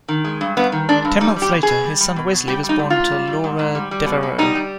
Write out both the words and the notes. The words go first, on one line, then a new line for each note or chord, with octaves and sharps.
Ten months later, his son Wesley was born to Laura Devereaux.
D#3
G#3
G2
G2 B3
D#3
G#3 D4
G2
G3 D#4
G3
G4
B2
G#4
B2
G3
G3
B2
B2
G3 G4
G3
D#4
G#2
F4
G#2
G3
G3
G#2
G#2
G3
G3
B2
B2
G3 D#4
G3